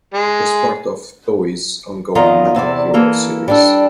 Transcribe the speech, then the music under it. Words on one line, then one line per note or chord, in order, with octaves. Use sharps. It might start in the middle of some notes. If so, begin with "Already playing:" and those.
It was part of Toei's ongoing Metal Hero Series.
G#3
E2 D#3 F4 D#5 A#5
E2 C3 E4 D5
E3 A#3 A4
G3 D4 A4